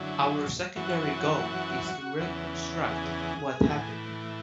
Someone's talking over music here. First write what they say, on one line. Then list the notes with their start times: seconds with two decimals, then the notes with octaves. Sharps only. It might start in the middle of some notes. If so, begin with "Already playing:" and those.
Our secondary goal is to reconstruct what happened.
Already playing: F#2 D3 F#3 E4
0.76 F#2 E3 F#4
2.19 E2 C#3 E3
2.91 G#4
3.63 A2 E3